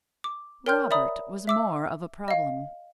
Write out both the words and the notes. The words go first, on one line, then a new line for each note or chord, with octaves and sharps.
Robert was more of a problem.
D6
A#4 C#5 G5 C6 F6 G6
D5 E5 A#5 B5 D#6
E5 D6 E6
D#5 F5